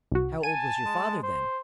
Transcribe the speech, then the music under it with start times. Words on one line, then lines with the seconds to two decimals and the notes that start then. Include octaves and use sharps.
"How old was your father then?"
0.12 C2 F#4
0.43 G#5 A5 D#7
0.85 G#3
1.23 C5